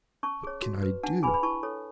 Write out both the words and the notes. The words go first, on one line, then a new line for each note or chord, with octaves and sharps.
What can I do?
C#4 A5 C#6
G#4 C#5
F#4
B4
D4 F#5 A5
G#4 B4 G#5 B5
B5
E4 A5 C#6
A4 C#5